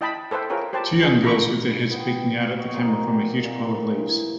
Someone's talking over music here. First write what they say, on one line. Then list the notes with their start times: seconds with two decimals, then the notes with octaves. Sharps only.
Two young girls with their heads peeking out at the camera from a huge pile of leaves.
0.01 E4 D#5 G5 A5 B5
0.31 A4 B4 C5 E5 G5
0.50 F4 G#4 A#4 C#5 G5
0.73 G4 B4 C5 G5 A5
1.03 G#4
1.23 E4 A4 A#5 B5 C#6 D6
1.91 B3 G5
2.59 F#4 C#5 D#5
2.74 A#2 C4 D#4 G#5
3.43 A#2
3.90 E3